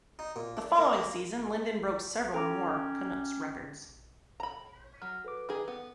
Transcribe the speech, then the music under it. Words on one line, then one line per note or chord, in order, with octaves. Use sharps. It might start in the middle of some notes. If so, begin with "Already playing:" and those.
The following season, Linden broke several more Canucks records.
D#4
A#2
D4
A#3
A#3
C#4 A4 G5 A#5 D6
A#5 B5
F#3 F6
A4 B4 D6
D#3 G#4
B3